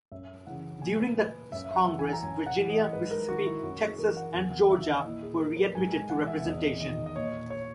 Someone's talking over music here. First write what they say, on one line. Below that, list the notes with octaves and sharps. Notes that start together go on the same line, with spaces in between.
During this Congress, Virginia, Mississippi, Texas, and Georgia were readmitted to representation.
F#2 E5
C#3 E3 F#5
A#2 G#5
B4
B4
F#2 E5
E5
F#5
E3
G#5
A#5
F#2 G#5
F#5
E3
D#5
G#2 B4
A#4
D#3 F#4
E4
F#2 F#4
G#4
E3 A#4
F#5
E2 G#5
F#5
D#3 E5
D#5
A#2 E4
G#4
A#4
B4
G#2 G#5
G#5
E3 F#5
E5
E2 D#5
D#3 D#5
D#5
A#2 C#5
C#5